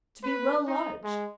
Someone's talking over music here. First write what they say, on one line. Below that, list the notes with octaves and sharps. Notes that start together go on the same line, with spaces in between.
To be well lodged!
B4
D#4
G#3